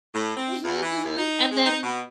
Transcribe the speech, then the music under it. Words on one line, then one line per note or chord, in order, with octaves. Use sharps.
Mhm, mhm, and then
A2
C4
E2
E3
D#2
D#4
G#3
D#4
B2